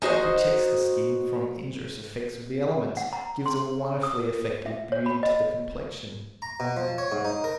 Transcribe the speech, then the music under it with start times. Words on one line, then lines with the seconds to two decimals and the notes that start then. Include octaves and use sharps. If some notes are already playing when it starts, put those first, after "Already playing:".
It protects the skin from injurious effects of the elements, gives a wonderfully effective beauty to the complexion.
0.02 D#4 F#4 C5 D#5
2.97 F#5
3.13 A#5
3.46 C6
4.03 D#6
4.66 E5
4.92 C#5
5.06 B5
5.23 D#5
6.42 A#5
6.60 B2
6.77 F3
6.98 C#5
7.12 G#2
7.25 D#4
7.44 A#4